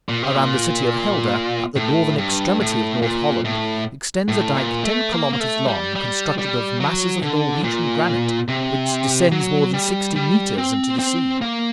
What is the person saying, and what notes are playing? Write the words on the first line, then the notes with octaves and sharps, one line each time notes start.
Around the city of Helder, at the northern extremity of North Holland, extends a dike ten kilometres long, constructed of masses of Norwegian granite, which descends more than sixty metres into the sea.
A#2
C3
A#2
A2
G2
A2
A#2
A2
A2
A#2
A3
A#3
A#3
A3
G3
G3
G3
F#3
D3
A#2
C3
F#3
G3
G3
C4
C4
A#3